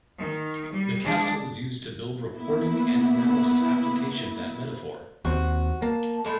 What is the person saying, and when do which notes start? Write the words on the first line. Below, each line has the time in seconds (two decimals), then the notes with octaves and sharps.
The Capsule was used to build reporting and analysis applications at Metaphor.
0.18 D#3
0.73 G3
1.03 G#3 D4
2.36 A#3 B3 E4
5.25 D#2 C4 F#4
5.82 A#3 A5
6.25 A2 G#3 A4